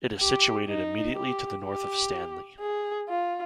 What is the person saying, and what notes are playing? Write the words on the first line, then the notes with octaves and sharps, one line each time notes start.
It is situated immediately to the north of Stanley.
G4
D#4
G4
G4
G#4
F4